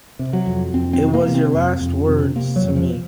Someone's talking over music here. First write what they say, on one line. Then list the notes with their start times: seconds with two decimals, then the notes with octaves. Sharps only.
It was your last words to me"".
0.19 C3
0.33 F#3
0.47 F2
0.73 F2 C4
0.93 C4
1.01 C3
1.14 A#3
1.28 C3
1.35 C4
1.54 F2
1.81 F2
2.08 C3
2.35 C3 A#3
2.56 F#3
2.62 F2
2.76 F3